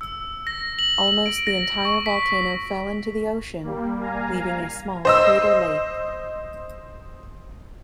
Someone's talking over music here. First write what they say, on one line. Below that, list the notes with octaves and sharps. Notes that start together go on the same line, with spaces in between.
Almost the entire volcano fell into the ocean, leaving a small crater lake.
E6
A#6
F#7
F#7
D7
A#6
C#6
B6
G3 A#3
F5 G#5 A#5
C5 D#5 E6